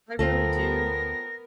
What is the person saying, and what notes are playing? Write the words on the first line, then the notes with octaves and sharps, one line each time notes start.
I really do.
D2 B3 C4 F4 A4 A#4 A#6